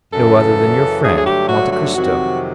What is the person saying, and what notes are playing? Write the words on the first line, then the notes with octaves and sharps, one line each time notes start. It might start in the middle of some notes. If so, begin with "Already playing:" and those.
"No other than your friend, Monte Cristo."
F#2 C#3 E3 A4
G2 D3 F#3 A3 G#4
G#4
G4
F#4
F#4
F2 C3 D#3 F#3 F#4